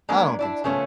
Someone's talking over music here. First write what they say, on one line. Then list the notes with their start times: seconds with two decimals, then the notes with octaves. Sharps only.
I don't think so,
0.09 G#3 A#3 B3 D4
0.39 D4 E4 D5
0.64 C#3 F3 A3 B3 C#4